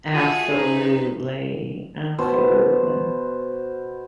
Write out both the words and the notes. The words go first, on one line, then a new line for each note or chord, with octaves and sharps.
Absolutely, absolutely.
A3 F4 F#4 G#4
D#4 G4 B4 C5
B2 C5